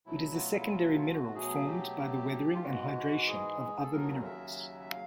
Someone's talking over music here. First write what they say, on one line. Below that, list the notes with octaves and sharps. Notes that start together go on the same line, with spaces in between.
It is a secondary mineral formed by the weathering and hydration of other minerals.
B2 F#3 A3 E4
F#4
F4
E4
F4
F4
F#4
F#4
B2 F#3 A3 G#4
G4
G4
F4
G#2 E3 G#3 F#4
G#4
A4
D#2 C#3 F#3 A#4
E5
E5
F5